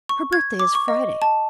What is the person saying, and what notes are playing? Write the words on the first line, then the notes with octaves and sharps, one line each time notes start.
Her birthday is Friday.
C#6
G#6
D6
C#6
D#5
A5